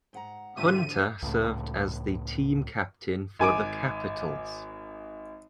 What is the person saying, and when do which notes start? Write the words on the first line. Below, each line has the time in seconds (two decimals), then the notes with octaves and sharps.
Hunter served as the team captain for the Capitals.
0.13 G#2 F#5 A#5
0.57 G#2 D3 A3 F4 G4 E5 A5 D#7
1.23 C#2 A2
3.39 G#1 G#5 D6 D7